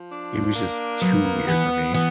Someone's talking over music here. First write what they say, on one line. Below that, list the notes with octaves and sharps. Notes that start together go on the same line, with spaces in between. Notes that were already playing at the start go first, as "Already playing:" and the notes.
it was just too weird for me.
Already playing: F3
D4
A#3
F#3 B3
E3 B3
E3 B3